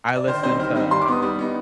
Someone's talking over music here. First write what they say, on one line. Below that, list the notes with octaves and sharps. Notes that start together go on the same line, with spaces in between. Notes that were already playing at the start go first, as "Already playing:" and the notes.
I listen to
D5
D#3 C5
G3 C4 D#4 C5
D#3
G3 C4 D#4
G3 C6
D6
B3 D#4 D#6
G3
B3 D#4